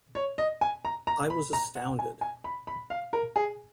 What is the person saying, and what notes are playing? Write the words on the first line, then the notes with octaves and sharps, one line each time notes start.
"I was astounded".
C#5
D#5
G#5
A#5
A#5
B5
A#5
F#5
G#5
G#5
B5
B5
F5
A#4
G#4